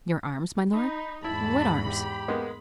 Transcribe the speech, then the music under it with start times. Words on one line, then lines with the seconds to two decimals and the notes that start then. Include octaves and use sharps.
"Your arms, my lord--what arms?"
0.73 D#4 B5
1.24 E2 G#2 E4 A5 B5
1.86 G4
2.28 G#3 A#3 B3